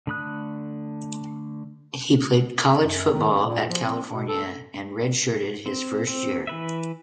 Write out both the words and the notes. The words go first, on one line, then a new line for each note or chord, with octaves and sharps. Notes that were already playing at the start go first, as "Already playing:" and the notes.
He played college football at California and redshirted his first year.
D3 A3 B5 D#6 F#6
F#2
D#3
C#4
A#2
F3
C4
B2
A4
C4
C4
E3 B4 E5